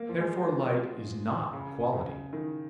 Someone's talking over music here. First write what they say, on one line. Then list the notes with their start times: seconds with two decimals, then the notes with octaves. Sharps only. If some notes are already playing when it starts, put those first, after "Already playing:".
Therefore light is not a quality.
Already playing: A#3
0.09 F3
0.20 G#3
0.46 F3
1.53 C#3
1.93 C#3
2.33 D#3